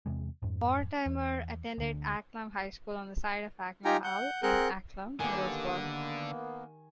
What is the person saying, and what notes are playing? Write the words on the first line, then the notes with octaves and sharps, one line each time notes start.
Mortimer attended Acklam High School on the site of Acklam Hall in Acklam, Middlesbrough.
E2 C3 G#3
F2 G#2
E2
D2 D3
D#4 F4 G4 G5 G#5 A#5
F#5 G6
C4 G#4 A#4 F#5 F#6 G6
D3 D#3 A#3 B3 G4 G#5